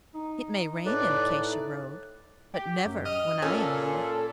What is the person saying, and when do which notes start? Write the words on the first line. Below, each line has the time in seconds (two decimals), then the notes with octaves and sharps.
It may rain in Acacia Road, but never when I am there.
0.15 D#4
0.86 A2 B4 D5
2.54 G4
2.85 F#2
3.06 D#5 F6
3.42 A#2 C#4 A4